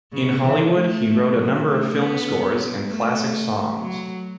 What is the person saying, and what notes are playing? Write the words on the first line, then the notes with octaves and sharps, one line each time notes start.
In Hollywood he wrote a number of film scores and classic songs.
C#3
E3
A3
A3
F#3
A3
B3
A3
F#3